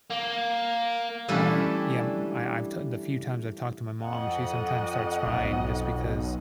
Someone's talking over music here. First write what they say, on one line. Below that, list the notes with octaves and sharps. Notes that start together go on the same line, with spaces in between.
uh yeah, m I I've t the few times I've talked to my mom, she sometimes starts crying just because
A#3
E3 G3 A3 C#4 D4 E4
F2 D#5 F#5
B1